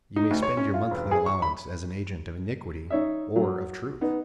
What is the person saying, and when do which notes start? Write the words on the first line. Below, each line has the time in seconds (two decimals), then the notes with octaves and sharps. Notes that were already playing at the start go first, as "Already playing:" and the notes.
You may spend your monthly allowance as an agent of iniquity or of truth.
0.16 D#4
0.31 D2
0.43 C#5
0.57 C#4
0.74 F4
0.91 E1
1.11 G#4
1.26 C#6
1.42 B5
2.90 D#4 C#5 E5
3.36 F#3
4.01 B3 D#4